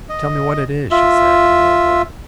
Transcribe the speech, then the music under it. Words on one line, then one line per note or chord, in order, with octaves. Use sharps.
'Tell me what it is,' she said, in a low voice.
D#5
F4 E5